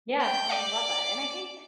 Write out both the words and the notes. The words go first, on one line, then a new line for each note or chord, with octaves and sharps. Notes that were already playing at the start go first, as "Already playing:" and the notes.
Yeah, no, I love that. And I think
G5
D5